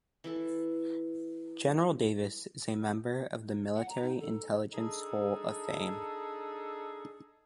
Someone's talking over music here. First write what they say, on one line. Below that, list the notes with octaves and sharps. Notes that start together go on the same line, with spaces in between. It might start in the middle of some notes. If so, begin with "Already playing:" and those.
General Davis is a member of the Military Intelligence Hall of Fame.
E3 E4 A4
F#5
A#5
D#4
A4
D4 D#4 G#4 A4